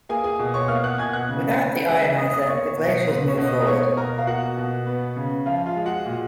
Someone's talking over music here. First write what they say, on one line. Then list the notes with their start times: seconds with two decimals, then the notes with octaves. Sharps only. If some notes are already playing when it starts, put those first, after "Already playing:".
Without the ioniser, the glaciers move forward.
0.09 A#3 G#4 G#5
0.24 G#4 G#5
0.39 B2
0.54 C#5 C#6
0.68 A#3 F5 F6
0.84 F#5 F#6
0.98 B2 G#5 G#6
1.13 F#5 F#6
1.29 C#3
1.58 C#3
1.88 G#3 F#5 F#6
2.18 B3 D#5 D#6
2.33 D#5 D#6
2.48 A#3 C#5 C#6
2.77 B2
3.07 A#3 B4 B5
3.27 C#5 C#6
3.38 B2
3.47 D#5 D#6
3.67 A#3 C#5 C#6
3.97 B2 A#4 A#5
4.18 F5
4.27 A#3 F#4 F#5
4.57 B2
4.86 B3
5.16 C#3
5.46 F3 F4 F5
5.66 F4 F5
5.75 G#3
5.85 F#4 F#5
6.06 A#2